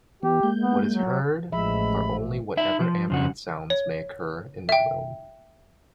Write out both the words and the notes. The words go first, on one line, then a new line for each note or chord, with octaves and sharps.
What is heard are only whatever ambient sounds may occur in the room.
E3 B3 G4
G#3 A#3 G6
B3
F#3
A1 F3 G#3 E5 B5
D#4 E5
F3
F2 C#3 F#4
C#5
E5 G5